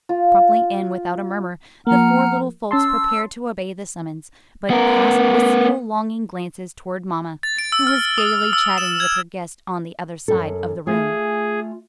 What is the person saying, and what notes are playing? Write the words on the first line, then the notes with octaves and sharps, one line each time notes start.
Promptly and without a murmur the four little folks prepared to obey the summons, but cast wistful longing glances toward mamma, who was gayly chatting with her guests on the other side of the room.
F4
F3 A#3 F#5 A#5 F6
C#4 A5 C6 E6
B3 A#4
A6
D7
E6
F6
D#6
E6
E7
G#6
F#2 A4
A3 F4 G#4 G#5